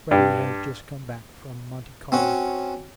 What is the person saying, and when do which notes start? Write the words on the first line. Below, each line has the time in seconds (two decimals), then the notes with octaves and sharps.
Freddy has just come back from Monte Carlo.
0.11 G2
2.12 C4 C#4 F#4